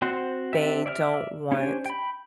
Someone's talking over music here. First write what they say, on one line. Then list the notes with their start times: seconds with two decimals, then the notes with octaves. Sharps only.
they don't want
0.02 C4 F#4 C5 F#5
0.53 C4 D4 G4 E5
0.86 D5 E5 G5 F6
1.52 C#4 D4 G4 C5 G#5
1.86 G5 B5